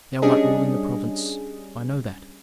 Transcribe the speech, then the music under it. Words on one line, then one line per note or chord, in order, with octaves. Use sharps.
Thou art ruling the province--I know that.
G3 C#4 D4 G#4 D#5